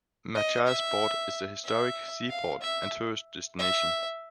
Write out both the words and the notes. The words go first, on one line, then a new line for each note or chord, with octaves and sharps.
Machiasport is a historic seaport and tourist destination.
D#5
E5
E5
F5
E5
E5